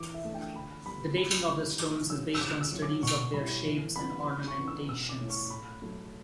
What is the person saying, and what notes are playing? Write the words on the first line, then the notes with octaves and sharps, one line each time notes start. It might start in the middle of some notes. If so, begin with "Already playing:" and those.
The dating of the stones is based on studies of their shapes and ornamentations.
Already playing: E3 D6
E5
A3 D4
G5
D3 B5
G3 B3 B5
C#3 B5
G3 C#4 E4
E3 D6
G3 C#4 E6
E6
C#3 D6
E6
F#3 C#4 E4
D6
B2 C#6
G3 C#4 E4 B5
E3
G3 B3 D4 B5
C#3 B5
C#6
E3 B3 D4
E6
B2 E6
D6
A3 C#4 E4
C#6
A2 B5
F#3 A3